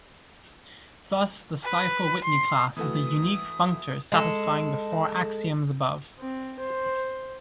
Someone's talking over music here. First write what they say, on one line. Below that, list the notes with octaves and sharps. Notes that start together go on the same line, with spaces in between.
Thus the Stiefel-Whitney class is the unique functor satisfying the four axioms above.
B4
C6
E3 A3 F#4 D#6
G#3 A4
C4
C5